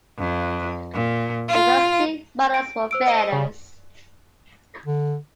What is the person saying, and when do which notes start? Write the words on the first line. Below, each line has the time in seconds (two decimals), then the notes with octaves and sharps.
The first two models were failures.
0.18 F2
0.94 A#2
1.49 F4
2.54 D7
2.91 C5 E6 D7
3.07 D#5
3.32 C#3
4.86 D3